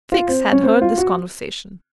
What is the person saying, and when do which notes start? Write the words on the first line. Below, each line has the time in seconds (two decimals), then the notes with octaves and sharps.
Fix had heard this conversation.
0.12 F4
0.28 C4
0.52 C#4
0.63 C4
0.82 F4
0.98 F#4